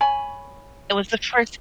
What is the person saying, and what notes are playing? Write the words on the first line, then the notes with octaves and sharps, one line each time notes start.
It was the first.
C#5 G#5 B5